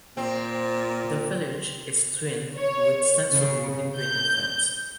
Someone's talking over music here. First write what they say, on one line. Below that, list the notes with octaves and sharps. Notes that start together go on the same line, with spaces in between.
The village is twinned with Saint-Thuriau in Brittany, France.
A#2 C4
C#5
C#3
G6